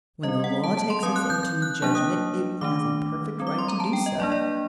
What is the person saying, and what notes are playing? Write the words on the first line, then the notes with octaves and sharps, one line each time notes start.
When the Law takes us into judgment it has a perfect right to do so.
G3 C4 D#5
F#5
A5
A5
C6
F#3 C4 D#6
F#6
G6
G6
F#6
F#3 A#3 D4 F#6
D#6
D#3 A3 D4 D6
G3 C4
D6
C6
A#5
A5
G5
D#5
F#3 A#3 D4 D5
D5